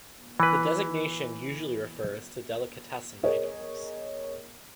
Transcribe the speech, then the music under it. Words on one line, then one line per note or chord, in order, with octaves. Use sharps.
The designation usually refers to delicatessen items.
E3 B4
G#4 A#4 C#5 D#5